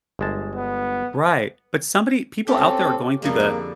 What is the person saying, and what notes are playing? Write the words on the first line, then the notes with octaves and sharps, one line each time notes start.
Right, but somebody people out there are going through the
G1 G#3 A5
B3
C4 C#4 F4 G4 A4
F2 G3 G#3 A#3
D3